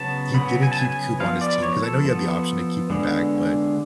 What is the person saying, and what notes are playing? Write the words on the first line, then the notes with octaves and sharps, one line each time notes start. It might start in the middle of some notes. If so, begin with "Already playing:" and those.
he didn't keep Coop on his team, 'cause I know you have the option to keep them back, but
Already playing: C#3 F#3 B3 A5
C#3 F#3 B3 B5
G#5
A5
G#5
G#5
F3 B3 F5
D5
C#5
A4
F3 B3
D3 G#3 B3